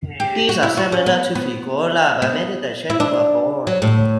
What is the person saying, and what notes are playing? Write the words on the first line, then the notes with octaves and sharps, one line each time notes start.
These are similar to figolla but made in the shape of a bone.
G4
F#4
E4
F#4
C#4
B3
B3
B3
E4
D4
F#3
A2